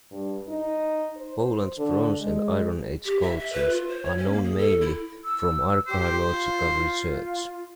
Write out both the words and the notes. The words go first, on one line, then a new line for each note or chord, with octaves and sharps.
Poland's Bronze- and Iron-Age cultures are known mainly from archeological research.
G2
D#4
C5
D3
G#3
G4
E5
E5
B4
F4
C5
C#5
C#4
A#3
G#4
A4
E4
E6
G4 C5
F4
F4